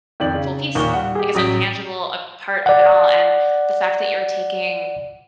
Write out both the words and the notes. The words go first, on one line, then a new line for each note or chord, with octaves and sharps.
full piece, like its own tangible, uh, part of it all, and the fact that you're taking,
F2 D#3 D5 F#7
C#3
D#2 A#2 C#6 G7
G3 F#5
G4 G#4
A1 F#3 D#6 A#6 B6 D7
D5 F#5